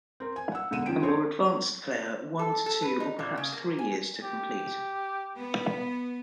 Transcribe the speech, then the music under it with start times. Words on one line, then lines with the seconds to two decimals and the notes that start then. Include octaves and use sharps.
A more advanced player - one to two or perhaps three years to complete.
0.20 C4 A#4
0.36 G#5
0.52 F#5 E6
0.71 E1 D3 F#5 D#7 E7
0.86 D#3 F3 C#4 G5 D7
1.02 C4 G#4 A4 C#5
2.39 A4
2.66 A4
2.82 B4
3.00 D#4
3.19 A#2
3.37 C#3
3.53 A#3
3.79 G#5
4.23 G4
5.38 B3